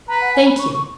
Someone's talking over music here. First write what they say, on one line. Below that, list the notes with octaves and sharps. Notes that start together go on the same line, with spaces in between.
"Thank you."
B4 A#5
F#5
G#5
B5
C#6
C#6